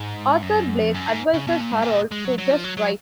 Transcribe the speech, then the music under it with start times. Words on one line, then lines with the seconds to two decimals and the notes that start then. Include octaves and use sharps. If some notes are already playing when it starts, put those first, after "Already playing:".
Arthur Blake advises Harold to "just write".
Already playing: G#2
0.42 F#2
0.82 F2
0.94 F#2
1.08 G#2
1.34 C#3
1.47 B2
1.60 A#2
1.71 G#2
1.82 A#2
2.11 G#3
2.25 F#3
2.38 F#3
2.51 F3
2.64 F#3
2.77 F#3